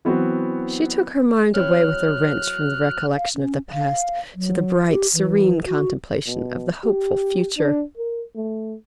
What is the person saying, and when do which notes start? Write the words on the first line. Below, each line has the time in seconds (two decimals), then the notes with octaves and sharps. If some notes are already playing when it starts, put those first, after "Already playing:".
She took her mind away with a wrench from the recollection of the past to the bright serene contemplation of the hopeful future.
0.05 E3 F#3 B3 C4 F#4
1.54 F#3 C4 E4 F6 F#6
3.16 F5
3.35 C#4
3.72 F5
4.35 F#3
4.89 G4
5.14 E3
5.65 F#4
6.27 B2
6.84 G4
7.58 D4
7.98 A#4
8.36 A3